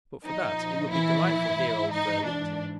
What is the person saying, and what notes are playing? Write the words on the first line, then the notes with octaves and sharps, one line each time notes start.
"But for that, it would be delightful here, old Fir, wouldn't it?"
A#2 F3 D#4
E3 E4
G#2 E3
D#4
D4